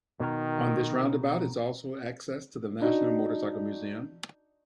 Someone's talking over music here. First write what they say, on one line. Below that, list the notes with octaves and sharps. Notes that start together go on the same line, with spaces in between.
On this roundabout is also access to the National Motorcycle Museum.
B2 D#3 A#4
D4 D#4 F#4